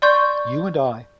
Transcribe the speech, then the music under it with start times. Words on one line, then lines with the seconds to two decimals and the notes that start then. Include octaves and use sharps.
You and I.
0.02 D5 C6 C#6 G6